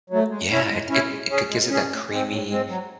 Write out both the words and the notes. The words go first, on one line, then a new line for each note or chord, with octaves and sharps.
Yeah, it it it it gives it that creamy,
F#3 A3
G#3
C#4 E4
G#3
C#4 E4
G#3
C#4 G#4
G#3
C#4 G#4
A2
G#3 C4
A2
G#3 C4
F#3